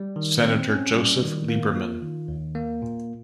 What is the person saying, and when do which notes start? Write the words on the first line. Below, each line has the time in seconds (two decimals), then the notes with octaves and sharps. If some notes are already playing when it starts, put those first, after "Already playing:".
Senator Joseph Lieberman.
Already playing: G3
0.16 D#3
0.43 C4
0.70 C#4
0.96 G3
1.22 D#3
1.49 A#3
1.75 F4
2.02 D#3
2.28 D#2
2.55 A#3
2.82 A#2